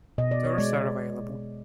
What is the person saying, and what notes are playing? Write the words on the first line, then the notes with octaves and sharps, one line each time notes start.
Tours are available.
B2 D#5
D5
C#5
G#3 D5